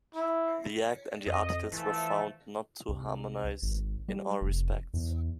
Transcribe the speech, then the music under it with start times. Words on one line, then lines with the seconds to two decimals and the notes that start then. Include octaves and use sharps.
The act and the articles were found not to harmonize in all respects.
0.15 E4
1.26 F2 D#5
1.73 E3 F3 A3 A4
2.89 C2
3.62 G#1
4.08 G3
4.41 F1
4.94 E2